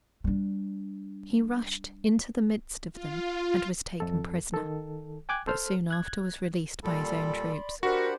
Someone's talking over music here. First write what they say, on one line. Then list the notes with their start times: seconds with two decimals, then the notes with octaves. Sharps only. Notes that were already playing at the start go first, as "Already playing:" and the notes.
He rushed into the midst of them, and was taken prisoner; but soon after was released by his own troops.
0.24 G3 D4
2.93 F4
4.00 F2 A4
4.54 D#3 A4
5.29 G5 G#5 D6 F#6 G#6
5.47 A4 C5 F6
5.91 F#6 G#6
6.83 A#2 G3 A4 D5 B5 C6
7.83 D4 F#4 G4 A#4 C5 F#5 B5